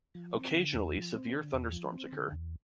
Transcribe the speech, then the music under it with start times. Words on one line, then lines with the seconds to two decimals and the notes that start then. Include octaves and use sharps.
Occasionally, severe thunderstorms occur.
0.15 F3
0.35 C4
0.54 D3
0.74 E2
0.94 F3
1.14 C4
1.33 D3
1.53 E2
1.73 F3
1.92 C4
2.12 D3
2.32 E2